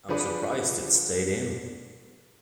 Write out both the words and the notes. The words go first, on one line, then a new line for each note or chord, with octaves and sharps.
I'm surprised it stayed in.
D3 F3 G#4 B4 D5